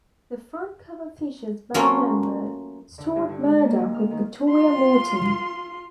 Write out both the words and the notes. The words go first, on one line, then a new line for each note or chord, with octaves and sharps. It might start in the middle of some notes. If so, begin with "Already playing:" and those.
The front cover features band member Stuart Murdoch with Victoria Morton.
F#3 A3 A#3 C#4 F4
D3
G2
D3
G#3
A#3
D2
F6
D#3
F4 C6